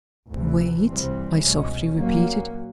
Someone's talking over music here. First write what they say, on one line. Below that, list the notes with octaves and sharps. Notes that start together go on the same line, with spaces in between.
"Wait?" I softly repeated.
D2 C3 E3
C2 C3 E3 G3 C4
C2 B2 G#3 C#4
A#2 F#3 A#3 C#4